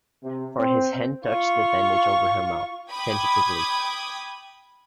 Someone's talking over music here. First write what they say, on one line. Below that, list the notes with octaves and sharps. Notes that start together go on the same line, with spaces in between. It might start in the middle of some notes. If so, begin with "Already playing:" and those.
For his hand touched the bandage over her mouth — tentatively.
C3
C4
F4 C#6
G5 B5 D6 D#6 G#6